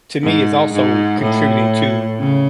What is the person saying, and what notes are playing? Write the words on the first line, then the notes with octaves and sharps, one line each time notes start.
to me is also contributing to,
G#2
G#2
A2
C#3